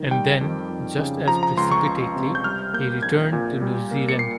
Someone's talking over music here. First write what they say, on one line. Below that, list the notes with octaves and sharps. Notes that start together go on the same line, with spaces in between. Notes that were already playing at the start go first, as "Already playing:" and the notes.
And then, just as precipitately, he returned to New Zealand.
Already playing: D#3
G3 G5
F2
F2
C#3
F3 A#5
A#5
C#2 C6
C#6
C#2
C3
G6
G3 F6
A#3 G6
A#1 G#6
A#2
G3
A#3
C#7
C7